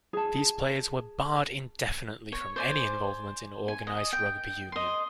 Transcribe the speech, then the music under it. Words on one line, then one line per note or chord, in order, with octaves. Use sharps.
These players were barred indefinitely from any involvement in organised rugby union.
G#4 A5
C#5
C5 D5 G#5
G#5
D#5
G5
D#5 C6